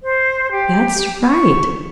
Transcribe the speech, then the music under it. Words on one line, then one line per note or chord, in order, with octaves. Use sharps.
"That's right!"
C5
G4
C#6